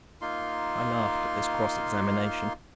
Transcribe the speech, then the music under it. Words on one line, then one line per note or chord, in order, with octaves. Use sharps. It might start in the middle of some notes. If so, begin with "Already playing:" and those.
I laughed at this cross-examination.
A#3 D#4 F4 C6